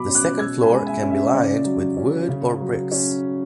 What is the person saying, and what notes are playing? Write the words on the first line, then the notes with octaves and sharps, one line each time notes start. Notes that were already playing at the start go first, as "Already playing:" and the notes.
The second floor can be lined with wood or bricks.
Already playing: B2 F#3 B5 D6
C#4
D6 F#6
B2 E6 G#6
G#5 B5
G#3
E5 G#5
C#4
E5
C#3 D5
F#3
C#4
C#3
F#3
C#4